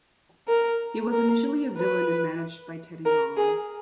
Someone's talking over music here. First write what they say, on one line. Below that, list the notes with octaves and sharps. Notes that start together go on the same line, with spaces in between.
He was initially a villain and managed by Teddy Long.
A#4
A#4
B4
A#4
G#4